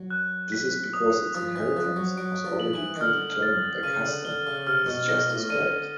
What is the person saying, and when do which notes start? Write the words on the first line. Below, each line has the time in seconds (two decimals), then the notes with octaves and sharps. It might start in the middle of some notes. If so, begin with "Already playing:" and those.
This is because its inheritance was already pre-determined by custom, as just described.
Already playing: F#3
0.10 F#6
0.52 B6
0.93 D#6
1.35 F3 D#6
1.56 E3
1.76 F3 F#6
1.96 F#3
2.17 F#3 D7
2.45 F3
2.60 F#7
2.73 E3
2.96 D#3
3.00 D3 F6
3.42 A6
3.83 C#3 D#7
4.05 D3
4.25 D3 G7
4.47 C#3
4.67 C3 F6
4.87 B2
5.08 B2 A#6
5.30 A2
5.49 D3 D#7